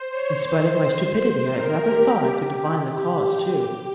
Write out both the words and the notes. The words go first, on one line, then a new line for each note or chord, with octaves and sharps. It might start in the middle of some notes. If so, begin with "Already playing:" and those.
In spite of my stupidity I rather thought I could divine the cause too.
Already playing: C5
C#5
C5
A#4
G4
G4
G4